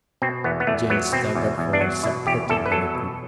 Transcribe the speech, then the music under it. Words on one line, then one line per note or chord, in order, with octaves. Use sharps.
Jane staggered forward supported by the cook.
B2 C4
E2 B3
B3
E2 A3
F#3 B3
B2 C4
E2
E2
D4
F#3
B2 E4
E2 G4
E2 A4
B4
F#3 A4
B2